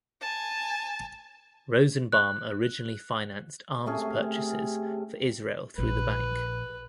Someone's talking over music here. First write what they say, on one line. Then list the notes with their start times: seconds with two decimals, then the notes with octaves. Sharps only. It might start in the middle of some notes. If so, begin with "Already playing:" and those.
Rosenbaum originally financed arms purchases for Israel through the bank.
0.21 G#5 A5
2.12 F#6
3.86 C3 A3 C#4 G#4
5.78 A#1 B4